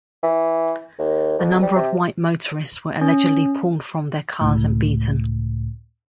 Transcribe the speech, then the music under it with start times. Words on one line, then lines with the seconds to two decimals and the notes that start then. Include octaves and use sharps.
A number of white motorists were allegedly pulled from their cars and beaten.
0.23 E3
0.99 D#2
1.39 F2
1.63 G3
1.76 C3
3.01 C#4
4.41 C#2 A2